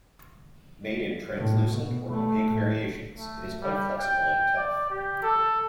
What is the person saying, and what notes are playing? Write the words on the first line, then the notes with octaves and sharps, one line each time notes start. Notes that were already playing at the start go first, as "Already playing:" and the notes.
Made in translucent or opaque variations, it is quite flexible and tough.
A2
B2
A3
A2
A3
G3
G5
D5
G4
A4